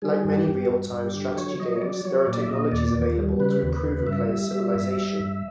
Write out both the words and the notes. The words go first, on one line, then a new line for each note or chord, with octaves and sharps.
Like many real-time strategy games, there are technologies available to improve a player's civilization.
G3 G#4
G2
F#4
G4
G2
G2
G2
G4
D3
F#3 C#5
F#3 D#5
C#5
F#3 D5
F#3 C#5
A#2 D5
E5
A#2 D#5
D#2 D5
D#2
G3
C#3 B4
D#2
B4
C#3
G2 E5
G3
G3
G2
G3
G2